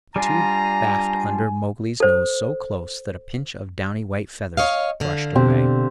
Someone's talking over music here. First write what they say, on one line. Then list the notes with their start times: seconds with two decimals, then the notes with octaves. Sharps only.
The two baffed under Mowgli's nose so close that a pinch of downy white feathers brushed away.
0.16 G3 D4 F4 G#5 A#5
2.00 A4 C5
4.57 C#5 D#5 F5
5.00 D3 F5
5.35 B2 C4 D4 G4